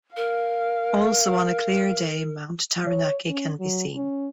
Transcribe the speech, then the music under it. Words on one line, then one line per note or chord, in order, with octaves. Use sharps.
Also on a clear day Mount Taranaki can be seen.
A#4 F5
C#5
C#4
F#3
C#4